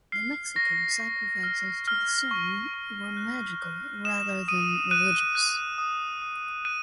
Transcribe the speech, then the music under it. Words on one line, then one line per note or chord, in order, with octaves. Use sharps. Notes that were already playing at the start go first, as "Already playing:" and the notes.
The Mexican sacrifices to the sun were magical rather than religious.
F6 C7
C#6 A#6
C#6
F6
F6
C#6
C#6
F#6
F#6
D#6 E7
D#6 D#7
F#6 D#7
F#6
D#6
D#6
F#6 D#7